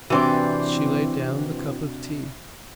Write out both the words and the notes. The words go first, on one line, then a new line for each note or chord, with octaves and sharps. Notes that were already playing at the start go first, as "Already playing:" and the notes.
She laid down the cup of tea.
C3 E3 C4 D4 F#4 D5